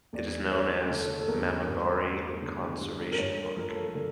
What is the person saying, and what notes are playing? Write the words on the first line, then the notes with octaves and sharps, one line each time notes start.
It is now known as Mamumgari Conservation Park.
E2 D5
A3 C#5
D3 A4
A4
E2 A#4
G2
A3
D3
G2
A#4
G2 C#5
A#4
F3 A#4
A4
D3